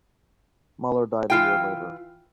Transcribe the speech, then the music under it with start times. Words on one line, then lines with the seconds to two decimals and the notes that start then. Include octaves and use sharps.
Mueller died a year later.
1.30 E3 F4 G5